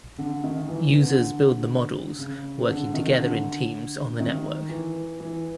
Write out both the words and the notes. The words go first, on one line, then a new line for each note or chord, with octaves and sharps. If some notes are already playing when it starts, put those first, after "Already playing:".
Users build the models working together in teams on the network.
D3
D#3
E3
D3
C#3
D3
D#3
D3
D#3
E3
E3